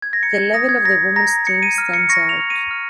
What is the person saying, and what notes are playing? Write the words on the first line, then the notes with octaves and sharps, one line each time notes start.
The level of the women’s teams stands out.
G#6
A#6
A#5 C#7
G#6
D#6 A#6
G#6
A#5 A#6
A#5 A#6
A#5 C#7
D#7
F6
C#7
C#6 A#6
F7
F6
D#7
F6